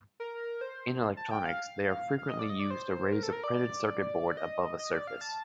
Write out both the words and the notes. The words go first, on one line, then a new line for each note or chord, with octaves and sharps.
In electronics they are frequently used to raise a printed-circuit board above a surface.
A#4
C5
A5
G5
F5
F5
D#5
D5
D#5
D5
C5
A#4
A4
A#4
D5
D#5
D#5
D5
F5
A5